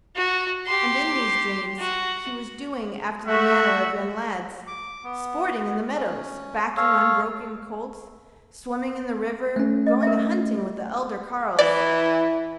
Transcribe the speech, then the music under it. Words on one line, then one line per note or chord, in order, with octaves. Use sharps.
And in these dreams he was doing after the manner of young lads, sporting in the meadows, backing unbroken colts, swimming in the river, going a-hunting with the elder carles.
F#4
G4 C6
F#4
A3 F#4 E5 F#5
D6
B3
C#4
A4 C#5 F5
A3 C#4
D#5
A#4 E5
E3 E4 D5